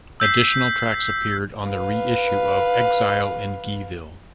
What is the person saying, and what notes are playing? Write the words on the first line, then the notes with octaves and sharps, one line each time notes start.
Additional tracks appeared on the reissue of "Exile in Guyville".
E6 G6 B6 C7
B4 F5